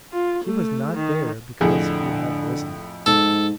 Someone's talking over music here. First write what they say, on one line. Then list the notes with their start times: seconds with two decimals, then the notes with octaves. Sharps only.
He was not there because he had risen.
0.12 F4
0.45 A3
0.94 D#3
1.61 F2 A2 D3 G#4
3.06 G#2 A4